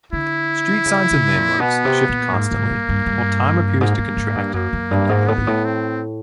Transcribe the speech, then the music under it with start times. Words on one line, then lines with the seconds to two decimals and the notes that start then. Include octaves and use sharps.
Street signs and landmarks shift constantly, while time appears to contract and dilate.
0.13 D3 E4
0.86 C#3
1.11 C#3
1.35 A#2
1.60 B2 B3
1.85 C3
2.09 A#2
2.33 G#2 A#3
2.51 G#2
2.71 G2
2.89 G2
3.06 G2
3.81 G#2 A#3
3.99 G2
4.17 G#2
4.35 G2
4.53 F#2 A#3
4.73 F#2
4.91 G2
5.09 G#2
5.27 A2 B3
5.38 G#2
5.47 A2
5.65 C4